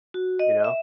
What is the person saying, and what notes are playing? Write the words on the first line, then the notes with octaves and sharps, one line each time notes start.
you know?
F#4
D#5
E5